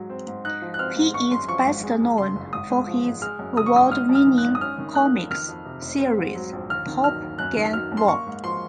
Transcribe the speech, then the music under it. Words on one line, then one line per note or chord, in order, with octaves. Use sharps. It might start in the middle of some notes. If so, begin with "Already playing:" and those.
He is best known for his award-winning comics series "Pop Gun War".
Already playing: G#2 F#3
C4
G#2
D#4 F#6
F3
F#6
C4 F6
G#2
G#1 C#6
F#2 C6
F3 C#6
G#1
G#3
F2
C#3 C6
F#1
G#1 D#6
G#2
F3
G#1
G#3 F6
F#2
C#3 D#6
C#6
G#1 D#6
G#1 F6
F#2
F6
D#3
F#6
G#1
D#6
C#4 F6
D#3
A#3 F#6
F2
D#3 F6
F2
C3
F1
C4
G#2
F#3
A#1
D#2 F6
D#3
F#3 F6
D#2
F#2 F#6
D#3
F#3 F6
F#2
C6
A#3 C#6
G#2
F3 C6